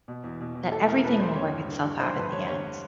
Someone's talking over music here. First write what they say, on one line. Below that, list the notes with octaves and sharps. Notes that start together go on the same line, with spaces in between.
that everything will work itself out in the end
B2
E2
B2
E2
B2 A4
E2 A#4
B2 B4
E2 C5
D3 C#5
G2
D3
G2
D3 C5
G2 B4
D3 C#5
G2 C#5